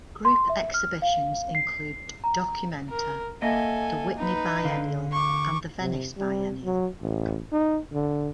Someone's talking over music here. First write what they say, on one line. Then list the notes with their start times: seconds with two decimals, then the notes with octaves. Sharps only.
Group exhibitions include Documenta, the Whitney Biennial, and the Venice Biennale.
0.25 C6
0.49 E5
0.74 F6
1.02 F5
1.55 C7
2.24 A#5
2.89 A#4
3.42 A#3 A4 D#5 E5 G#5
4.17 D#4 B4
4.64 D3 F5
5.12 C#6 D6
5.81 C3
6.17 G3
6.64 F#3
7.02 A1
7.52 D#4
7.93 D3